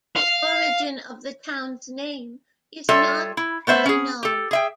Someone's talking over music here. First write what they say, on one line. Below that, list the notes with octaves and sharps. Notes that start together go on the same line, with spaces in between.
The origin of the town's name is not fully known.
F5
G3 F4 A4 C#5 E5
E4
A3 B3 C5 E5
C#4 G#4
G4 A4
G#4 E5 G5